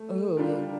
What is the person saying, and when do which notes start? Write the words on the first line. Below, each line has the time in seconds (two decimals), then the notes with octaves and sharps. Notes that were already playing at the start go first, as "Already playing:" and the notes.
Oh, yeah.
Already playing: A3
0.37 D3 G3 D4 F4 A#4